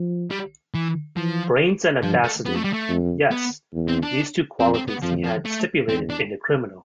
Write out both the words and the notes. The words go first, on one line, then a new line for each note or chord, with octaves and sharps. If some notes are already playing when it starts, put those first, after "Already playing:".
Brains and audacity — yes, these two qualities he had stipulated in the criminal.
Already playing: F3
G3
E3
E3 F3
G2 F3
A3
F2 B3
A3
G3
A3
F2
B3
E2
C4
D4
F2 C4
C4
B3
F2 F3
F3
A3
E2 C4
D4